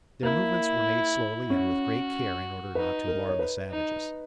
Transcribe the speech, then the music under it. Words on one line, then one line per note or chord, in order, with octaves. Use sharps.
Their movements were made slowly and with great care in order not to alarm the savages.
A#3 E4
C#4 F#4
D#4 B4
A#4
C#5
B4
D#4